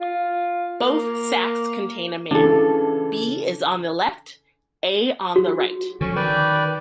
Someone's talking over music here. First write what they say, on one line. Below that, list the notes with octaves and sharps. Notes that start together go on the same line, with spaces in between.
Both sacks contain a man; B is on the left, A on the right.
F4
A#3
C#3 E3 D4 A4
F#4
D3 F3 F#3 C#4
D#3 B4 D5 G5